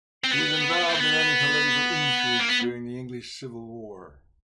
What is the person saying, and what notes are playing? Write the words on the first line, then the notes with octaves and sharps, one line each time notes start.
She was involved in many political intrigues during the English Civil War.
C4
B3
C4
B3
A#3
B3